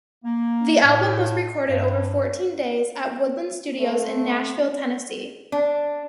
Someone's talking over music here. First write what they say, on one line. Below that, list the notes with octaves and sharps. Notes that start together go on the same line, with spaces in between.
The album was recorded over fourteen days at Woodland Studios in Nashville, Tennessee.
A#3
A2
G2
A3 C4
D4